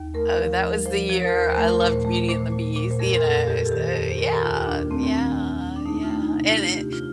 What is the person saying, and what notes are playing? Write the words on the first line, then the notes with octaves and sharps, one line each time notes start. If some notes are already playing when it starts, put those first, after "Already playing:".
Oh, that was the year I loved Beauty and the Beast, you know, so, yeah, yeah, yeah, and it
Already playing: D#2
A3 A#4
F3
F3
F3 C5
F3
A#4
D#2
C5
A3 A#4
A#2
C5
A3
A#2 C5
A#2
A#2
C5
F2 A#4
A#4
F2 A4
F2 G4
A4
D#3 G4
F2
C5
D#3 A#4
A4
G4
D#2 F4
D#2 D4
A3 C4
C4
D#3 D4
D#2
D#2
D4
A3 D#4
F4
A3 D4
D#4
C3
F4
A3 G4
C3
F4